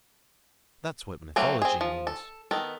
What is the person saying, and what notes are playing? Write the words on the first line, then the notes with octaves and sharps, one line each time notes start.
That's what mythology means.
F#3 A3 A#3 C4
C4 G#4
F3
A4
D#3 B3 A4